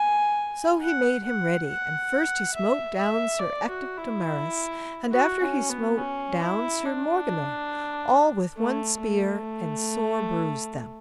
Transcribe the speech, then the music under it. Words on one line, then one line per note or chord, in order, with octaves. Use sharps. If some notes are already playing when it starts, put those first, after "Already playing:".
So he made him ready, and first he smote down Sir Ector de Maris, and after he smote down Sir Morganor, all with one spear, and sore bruised them.
Already playing: G#5
F#5
F#5
F#5
E5
E5
D5
F#4
E4
F#4
C#4
B3
C#4
E4
D4
A3
A3